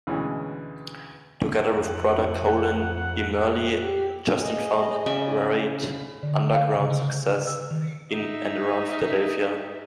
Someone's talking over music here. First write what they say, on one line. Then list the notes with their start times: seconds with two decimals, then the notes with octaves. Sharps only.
Together with brother Colin Emerle, Justin found varied underground success in and around Philadelphia.
0.07 D2 B2 E3 G#3 C#4
1.73 F2 F#5
3.82 G4
4.40 G#4 D#5
5.06 C#3 D5 E5
6.23 D3
6.54 F5
6.74 C#3
7.47 E6
7.71 D#3
8.12 D#4 E5